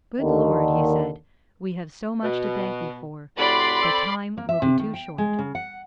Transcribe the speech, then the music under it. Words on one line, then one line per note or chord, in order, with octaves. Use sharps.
'Good Lord!' he said, 'we have so much to thank Thee for, that Time will be too short.
D#2 D3 D#3
B2
A2 C3 F#4 D5 B5 C6
C4 A4
A#3
E5
C3
D#3
G5
G#3
C#3
F#5